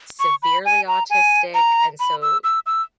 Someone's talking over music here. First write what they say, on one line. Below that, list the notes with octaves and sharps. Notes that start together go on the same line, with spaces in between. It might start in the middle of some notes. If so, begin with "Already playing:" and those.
severely autistic, and so,
C#6
B5
G#5
A#5
G#5
A#5
B5
E6
E6
E6